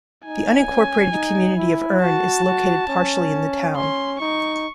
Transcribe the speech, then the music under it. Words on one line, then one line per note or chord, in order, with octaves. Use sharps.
The unincorporated community of Urne is located partially in the town.
D#4 G#5
C#4
D#4
E4
F#4 A5
F#4
C#4
C#4 C6
D#4 C#6